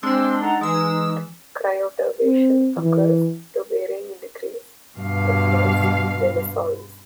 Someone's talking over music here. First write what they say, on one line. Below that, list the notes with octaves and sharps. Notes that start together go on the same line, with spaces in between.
Cryoturbation occurs to varying degrees in most gelisols.
G#3 C4 D4 C6 E6
D#4 A4 F#5 A#5
E3 G#3 D#6 E6
C4
E3
G2 B2 F5